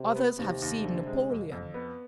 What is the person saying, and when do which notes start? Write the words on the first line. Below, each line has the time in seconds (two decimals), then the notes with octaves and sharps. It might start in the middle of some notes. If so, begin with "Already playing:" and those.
Others have seen Napoleon.
Already playing: C3
0.16 B3
0.39 D#2 C3
0.62 D#2
0.84 D3
1.07 G#3
1.30 F2
1.52 F2
1.74 B3